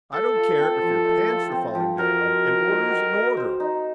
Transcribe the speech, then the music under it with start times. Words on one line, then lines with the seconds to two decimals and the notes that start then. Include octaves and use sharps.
"I don't care if your pants are falling down, an order's an order!"
0.13 A3 A4
0.35 F4
0.59 C4
0.82 F3
1.05 A3
1.28 F4
1.52 C4
1.75 F3
1.98 F#4 A#4
2.21 D#5
2.45 C5
2.68 D#4
2.90 F#4
3.14 D#5
3.37 C5
3.60 D#4